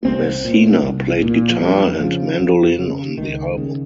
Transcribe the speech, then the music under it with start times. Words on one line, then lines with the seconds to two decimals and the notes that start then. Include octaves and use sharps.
Messina played guitar and mandolin on the album.
0.05 C2 C4
0.44 A#2
0.83 C2
1.22 A#2
1.50 F3
1.61 F2 G3
2.00 C#3 F3
2.40 F2
2.78 C#3
3.18 C#2 D#3
3.57 C#3